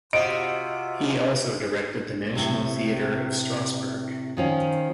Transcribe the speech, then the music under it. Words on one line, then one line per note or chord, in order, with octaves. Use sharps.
He also directed the National Theatre of Strasbourg.
C3 F4 F#4 D#5 D7
A2 C3
D#3 F3 C#4